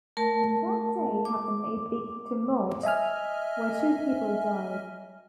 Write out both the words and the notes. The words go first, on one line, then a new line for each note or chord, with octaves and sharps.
On that day happened a big tumult, where two people died.
A3 A#4 A5
D6
D#5 E5 G#5 F6